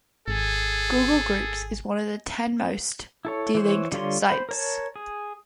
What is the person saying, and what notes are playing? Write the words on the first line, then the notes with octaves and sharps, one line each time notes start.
Google Groups is one of the ten most delinked sites.
G#1 G#4 A4
E4 A4 C#5
E3 C5 C#5
D3 G3 F4 C#5 C6
C5 B5
A#4 C#5 A5
G#4